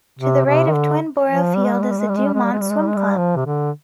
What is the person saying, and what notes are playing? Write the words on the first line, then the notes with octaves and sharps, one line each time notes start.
To the right of Twin Boro Field is the Dumont Swim Club.
C3
C3
D#3
D3
F3
G3
G#3
G3
G#3
G3
G#3
G3
G#3
G3
G#3
G3
G#3
G3
G#3
G3
G#3
G3
F3
C3
D3